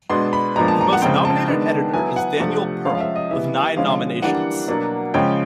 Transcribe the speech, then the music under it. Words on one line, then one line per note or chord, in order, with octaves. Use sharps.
The most nominated editor is Daniel Pearl with nine nominations.
B2 G#3 B3 D4 C6
B5
A#2 F3 G#3 B3 D4 A#5
A5
A#5
F#5
C#3 F3 G#3 C4 G5
A5
D#3 G#3 B3 D4
F#3 B3 E4 G#5
F#5
C3 F3 A3 D4
F3 G#3 C#4 F5
F5
E5
D#5
E3 G3 B3 E5
D3 F3 G#3 C#4 F5
E3 G3 A#3 D4 F#5
B2 F#3 A#3 D4
C#3 F3 G#3 C#4 G5